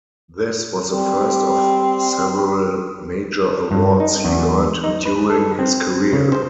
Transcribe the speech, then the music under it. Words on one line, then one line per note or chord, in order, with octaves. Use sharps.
This was the first of several major awards he earned during his career.
G3 C4
G2
D#4
E2
D#4
B4
A4
C4
C#3
C5